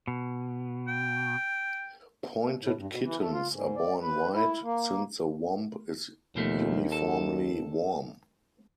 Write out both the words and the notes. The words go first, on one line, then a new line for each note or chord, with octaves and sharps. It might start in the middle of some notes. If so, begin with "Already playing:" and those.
Pointed kittens are born white, since the womb is uniformly warm.
B2
G5
A2
G2
B2
E3
A3
F4
G#2
D5
B4
E4
A#3
D#2 B2 F3 A3
A4